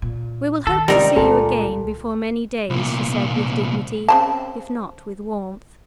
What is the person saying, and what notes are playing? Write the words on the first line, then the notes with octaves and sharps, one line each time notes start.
"We will hope to see you again before many days," she said with dignity, if not with warmth.
A#2
D#3 A4
C#2 C3 G3 D#4 A#4
C#2 A#2 D3 A4
C2 A#2
C#3 C4 A5